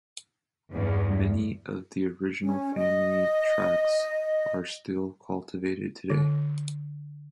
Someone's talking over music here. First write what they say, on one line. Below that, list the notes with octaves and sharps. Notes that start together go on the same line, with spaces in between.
Many of the original family tracts are still cultivated today.
E2 G2
C#4
D#5
D3